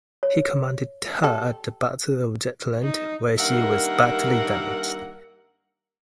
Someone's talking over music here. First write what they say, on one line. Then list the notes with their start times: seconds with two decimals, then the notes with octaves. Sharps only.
He commanded her at the Battle of Jutland, where she was badly damaged.
0.23 C#5
1.23 G4 A4
2.83 D#4
3.38 G2 D#3 A#3 A#4 E5 F#5